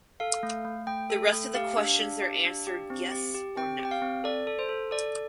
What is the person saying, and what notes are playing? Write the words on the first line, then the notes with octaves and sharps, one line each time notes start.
The rest of the questions are answered "yes" or "no".
A4 F5
A3
A3
A3 G5
A4
A3
G4 F5
D4
D4
G4
D4
G4
C4
G4
G4
C4 G5
G4
G5
F5
C4
A4 D5
A4
C5
A4
A4 D5